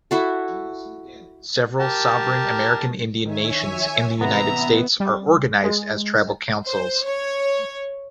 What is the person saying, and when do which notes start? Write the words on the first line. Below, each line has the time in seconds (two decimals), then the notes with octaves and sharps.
Several sovereign American Indian Nations in the United States are organized as Tribal Councils.
0.11 E4 F#4 A4
1.80 G4 A#4 A5
3.26 D#3 C#5 E5 G#5
4.21 A1 C3 B3 E5 A#5
5.00 G3
5.64 G#3
6.66 C5
7.04 C#5